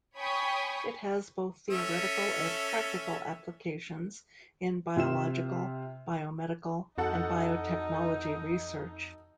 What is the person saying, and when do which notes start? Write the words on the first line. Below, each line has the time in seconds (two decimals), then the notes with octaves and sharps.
It has both theoretical and practical applications in biological, biomedical and biotechnology research.
0.18 C#5 G5 G#5 B5 C#6 D#6
1.70 C#4 A4 E5
4.96 C3 F4 E5 E7
6.98 F2 D#4 F#4 A4 F#5